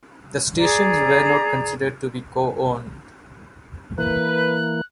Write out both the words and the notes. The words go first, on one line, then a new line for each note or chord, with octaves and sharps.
The stations were not considered to be co-owned.
G#4 D5 A#5
E3 A#3 B4 F#6